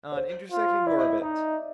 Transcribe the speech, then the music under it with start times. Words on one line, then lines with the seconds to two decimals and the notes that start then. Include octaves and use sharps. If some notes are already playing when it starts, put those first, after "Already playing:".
On intersecting orbit.
0.12 C#5
0.17 C5
0.52 F4
0.87 E4 D5
0.99 D#5
1.10 E5
1.22 D#4 D#5